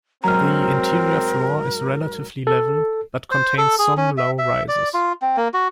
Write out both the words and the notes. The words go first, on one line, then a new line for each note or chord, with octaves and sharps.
The interior floor is relatively level, but contains some low rises.
G#2 F#3 C4 A#4 A#5 F6
A4
C5
A4
G#4
C#4
E5
E5
D5
F4
C4
A#3
F#4